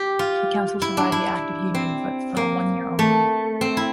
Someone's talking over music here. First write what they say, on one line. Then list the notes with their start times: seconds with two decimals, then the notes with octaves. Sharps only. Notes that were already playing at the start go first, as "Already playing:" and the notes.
The council survived the Act of Union but for one year only.
Already playing: G4
0.19 F4
0.82 E4
0.97 D4
1.12 E4
1.74 C4
2.37 A#3
2.99 A3
3.61 C4
3.77 E4